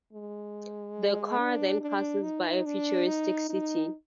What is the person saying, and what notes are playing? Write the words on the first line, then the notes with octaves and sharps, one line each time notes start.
The car then passes by a futuristic city.
G#3
D4
D4
D#4
D4
D#4
D#4